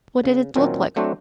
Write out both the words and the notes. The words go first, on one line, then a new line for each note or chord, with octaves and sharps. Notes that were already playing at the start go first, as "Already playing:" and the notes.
"What did it look like?"
C#3
A#2 D#3 F#3 A#3 C4 C#4
F#3 A3 C4 D4 F#4 C5